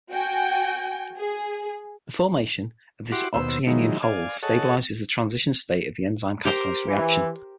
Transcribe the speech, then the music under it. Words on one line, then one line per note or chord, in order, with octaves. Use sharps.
The formation of this oxyanion hole stabilizes the transition state of the enzyme-catalyzed reaction.
F#4 G5 G#5
G#4
E4 F#4 G4 F#5 C6 D6
D#2 B2 B3 C5 E6
D#3 F3 F#3 G#3 D#4 E4
D5 F5 G#5
G#4 A4 C#5 D#5 F#5 A5
G4 A#4 C5
E3